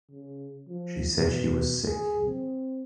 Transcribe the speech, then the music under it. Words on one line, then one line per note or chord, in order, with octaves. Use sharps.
She said she was sick.
C#3
F3
B2
G#4
C4